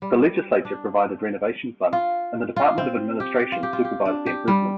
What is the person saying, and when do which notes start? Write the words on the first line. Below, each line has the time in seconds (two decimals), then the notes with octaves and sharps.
The Legislature provided renovation funds and the Department of Administration supervised the improvements.
0.02 G3
0.65 D4
1.93 F4
2.56 F4
2.78 C4
3.20 G4
3.52 F4
3.63 G4
3.73 F4
3.85 G4
4.05 D4
4.26 G4
4.48 G3